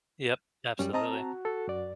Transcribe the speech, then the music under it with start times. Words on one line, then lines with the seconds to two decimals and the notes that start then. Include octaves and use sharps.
Yep, absolutely.
0.79 F#2 G3 C#4
0.93 C4 D#5 A5 A#5
1.12 F#4
1.45 A4
1.67 F#2 D5